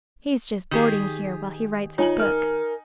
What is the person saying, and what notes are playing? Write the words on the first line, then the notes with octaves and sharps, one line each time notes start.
He's just boarding here, while he writes his book.
D#3 G4 G#4
D#4 F4 C#5 G#5 F#7
A#4 F6